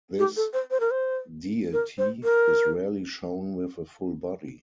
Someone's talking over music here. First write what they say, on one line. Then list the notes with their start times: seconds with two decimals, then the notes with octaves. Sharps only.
This deity is rarely shown with a full body.
0.19 G4
0.37 A4
0.53 C5
0.71 C5
0.80 A#4
0.91 C5
1.73 A#4
1.98 C5
2.24 A#4